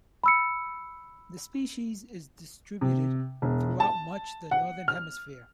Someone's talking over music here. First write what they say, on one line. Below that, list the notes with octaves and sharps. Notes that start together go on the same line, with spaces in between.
The species is distributed throughout much the northern hemisphere.
B5 E6 C#7
C3
E1
A5
F#5
F6